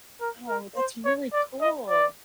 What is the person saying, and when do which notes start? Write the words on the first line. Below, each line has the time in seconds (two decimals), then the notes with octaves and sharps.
Oh, that's really cool.
0.21 A#4
0.49 A#4
0.77 C5
1.05 C#5
1.33 D5
1.61 D#5
1.89 D5